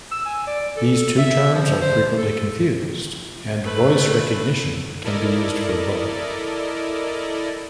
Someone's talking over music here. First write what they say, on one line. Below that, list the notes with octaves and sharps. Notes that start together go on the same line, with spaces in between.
These two terms are frequently confused, and "voice recognition" can be used for both.
E6
G#5
D5
A4
E5
F3
C5
A4
A3 B4
E4 A4 A#4 D5 D#5